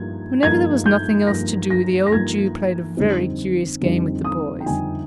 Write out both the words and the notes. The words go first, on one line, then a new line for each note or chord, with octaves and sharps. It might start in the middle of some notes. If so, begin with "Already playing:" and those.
Whenever there was nothing else to do, the old Jew played a very curious game with the boys.
Already playing: G2 F3 A#3 D#4 G#6
G2 F3 A#3 D#4 G#6
G6
G2 F3 A#3 D#4 A#6
A#6
A#6
G2 F3 A#3 D#4 G#6
F2 D3 G3 C4 D#4
F2 D3 G3 C4 D#4
D#6
G5
F2 D3 G3 C4 D#4 G#5